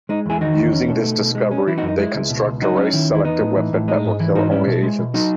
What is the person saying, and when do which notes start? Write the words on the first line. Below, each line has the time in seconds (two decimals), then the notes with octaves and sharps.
Using this discovery, they construct a race-selective weapon that will kill only Asians.
0.09 G#3 D#4
0.26 E2 E4 G#4
0.41 D#3 D#4 F#4
0.57 E2
0.72 C#4
0.88 B2
1.04 A3
1.19 B2
1.35 G#3
1.51 C#4
1.67 E3 E4
1.77 D#4 F#4
1.83 F#2
1.88 D#4
1.98 G#3 E4
2.14 C#2
2.30 B2
2.46 C#2
2.62 F#3 D#4 F#4
2.77 C#4
2.93 D#3 E4
3.09 E2
3.15 E4
3.24 B3 D#4
3.40 A2
3.57 E3
3.73 A2
3.88 G#3 D#4
4.05 G#2
4.20 E3 E4
4.35 G#2 D#4 F#4
4.51 C#4 E4
4.67 B2
4.83 G#3
4.99 B2
5.14 F#3 D#4 F#4